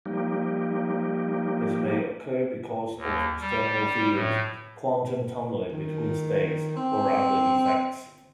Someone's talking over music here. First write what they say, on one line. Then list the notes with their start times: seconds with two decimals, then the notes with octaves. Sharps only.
This may occur because of external fields, quantum tunnelling between states, or other effects.
0.06 F3 G3 A#3 D#4 G4
2.98 D#2
3.40 G3
4.14 A2
5.72 D#3
6.76 C4